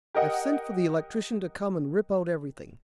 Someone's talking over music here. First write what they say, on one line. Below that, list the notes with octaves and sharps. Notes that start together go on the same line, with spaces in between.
I've sent for the electrician to come and rip out everything.
G4 A#4 D#5 F#5